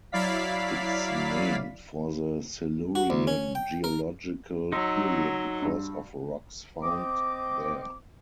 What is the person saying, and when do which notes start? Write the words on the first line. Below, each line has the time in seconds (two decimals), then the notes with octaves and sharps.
It's named for the Silurian geological period because of rocks found there.
0.12 F#3 E4 D5 F5 B6
2.95 F#4
3.10 D2
3.27 C#4
3.55 G5
3.84 A#4
4.72 F#3 D#4 C6 E6
5.62 G2
6.82 C4 D#5 D6